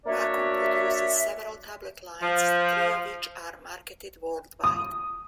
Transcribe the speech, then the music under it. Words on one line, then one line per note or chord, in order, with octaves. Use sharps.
Wacom produces several tablet lines, three of which are marketed worldwide.
A#3 D4 F#4 C#5 D5 E5
F3
D#6